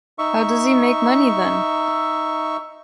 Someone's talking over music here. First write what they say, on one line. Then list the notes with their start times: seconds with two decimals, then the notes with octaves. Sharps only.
How does he make money then?
0.19 D#4 E5 C#6